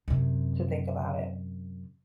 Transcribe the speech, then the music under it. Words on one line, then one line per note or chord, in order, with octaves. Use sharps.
to think about it.
F#2 C3